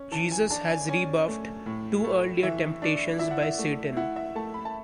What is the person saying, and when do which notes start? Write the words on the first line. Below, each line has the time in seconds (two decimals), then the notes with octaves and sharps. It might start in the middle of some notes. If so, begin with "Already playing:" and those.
Jesus has rebuffed two earlier temptations by Satan.
Already playing: C#4
0.11 E3 A5
0.31 G#5
0.50 D4 A5
0.69 G#5
0.88 C#4 G#5
1.28 A3
1.66 A2
2.04 A3
2.43 E3 E5
2.82 D4
3.19 E4 E5
3.31 F#5
3.42 E5
3.59 A3
3.97 E4 F#5
4.16 E5
4.35 A3 A5
4.54 B5
4.65 A5